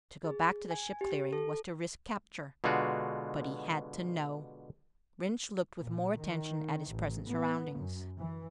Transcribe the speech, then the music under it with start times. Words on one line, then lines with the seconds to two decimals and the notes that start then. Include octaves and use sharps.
To go back to the ship clearing was to risk capture--but he had to know. Rynch looked with more attention at his present surroundings.
0.24 G#4
0.71 G#5
1.01 G4
1.33 A4
2.64 B2 D3 G#3 F4 F#4
5.81 A#2
6.20 D#3
6.90 A1
7.29 B3
7.76 F#2
8.16 E3